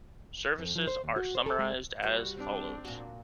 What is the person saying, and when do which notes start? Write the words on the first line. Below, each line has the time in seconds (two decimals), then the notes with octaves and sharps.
Services are summarised as follows.
0.58 F2
0.75 F3
0.87 C5
1.04 D#2
1.16 F#4
1.35 C5
1.46 A4
1.59 G#3
2.03 C3 G3 F#4 B4
2.35 C4 D4
2.85 A#2 F#4